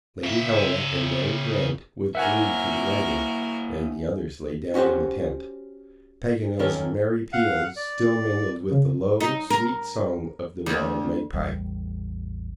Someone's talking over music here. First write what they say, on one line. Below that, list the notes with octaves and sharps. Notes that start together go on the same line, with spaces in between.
Lady Helena and Mary Grant withdrew to the wagon, and the others lay down in the tent, Paganel's merry peals still mingling with the low, sweet song of the wild magpie.
C#3 E5
A#3 E4 F#4 A#4 E5 F#5 G#5
C#4 F#4 G4 C5 F#5
B1 D#3 C#4 A4 A#4
F5 F#5
D5
C#3
D#4
A#4
D2
A1 E2 G3